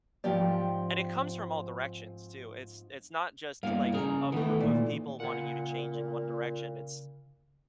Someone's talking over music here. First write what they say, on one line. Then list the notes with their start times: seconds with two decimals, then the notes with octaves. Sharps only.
and it comes from all directions, too, it's it's not just, like, a group of people wanting you to change in one direction, it's
0.24 G#2 F3 C4 G4 D5
3.63 E2 G2 A#3 F5
3.93 C#3 D#4 G#4 A#4
4.32 D#3 E3 A3 B3
4.60 A#2
5.20 A#2 C#3 F#5